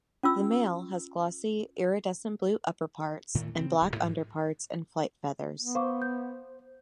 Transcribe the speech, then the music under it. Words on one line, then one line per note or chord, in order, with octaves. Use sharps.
The male has glossy, iridescent blue upperparts, and black underparts and flight feathers.
C#4 F4 E6
A2 D#3 E3 A3
C#3 C4
D1
G#2 F#3
B3
C5 F5 C#6 D6
G6